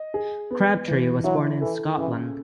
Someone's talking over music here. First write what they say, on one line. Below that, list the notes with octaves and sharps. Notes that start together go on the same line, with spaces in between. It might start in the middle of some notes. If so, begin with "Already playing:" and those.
Crabtree was born in Scotland.
Already playing: D#5
G#4
B3
E3
F#3 E4
E3 A4
C#3 E3